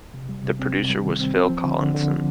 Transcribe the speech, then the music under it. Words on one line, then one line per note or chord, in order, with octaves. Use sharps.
The producer was Phil Collinson.
C3
G3
C3
C4
C3
G3
D#3
C4
C4
F3
D3
D3
D3
F3